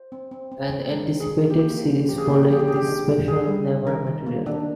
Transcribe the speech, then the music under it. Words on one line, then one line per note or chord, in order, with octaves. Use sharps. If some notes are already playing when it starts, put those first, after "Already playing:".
An anticipated series following this special never materialized.
Already playing: C5
C4
C4
C4
C4
G#3 A#4
C4
G#4
D3
A#3 G4
A#3
F3
F3 G4
G#4
A#3 G4
G#4
G4
F3 G#4
G4
D3 G#4
G4
D3
D3
D3 G#4
G3
D3
D#3 A#4
D#3
A#3
D#3 D4